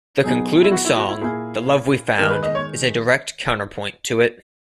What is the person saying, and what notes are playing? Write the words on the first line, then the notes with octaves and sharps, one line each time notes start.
The concluding song, "The Love We Found", is a direct counterpoint to it.
B2 F#3 B3 D#4 G#4
E4
F#4
E4
F#4
E4
A#2 A#3 E4 G#4
D#3 G#3 D#4 A#4
B4
D#5
C#5